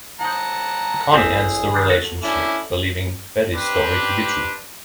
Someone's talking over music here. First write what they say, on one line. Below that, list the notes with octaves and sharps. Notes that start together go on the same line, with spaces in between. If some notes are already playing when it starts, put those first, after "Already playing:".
Connie ends the relationship, believing Betty's story to be true.
D#4 C5 F#5 A5 A#5
A1 C4 G#4 E5
D#3 G3 D4
F#4 A4
C#4 D4 E4
C4 D4 G4 B4